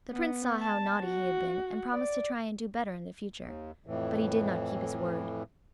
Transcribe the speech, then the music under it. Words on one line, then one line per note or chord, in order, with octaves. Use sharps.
The Prince saw how naughty he had been, and promised to try and do better in future, but he did not keep his word.
B3
A5
F#4
D5
D#2
F2 A2 E3